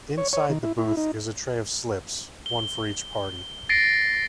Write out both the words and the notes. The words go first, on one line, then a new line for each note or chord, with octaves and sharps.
Inside the booth is a tray of slips, one for each party.
C#5
C#5
D#3
E4
E4
D#4
G7
A6 A#6 C7 D7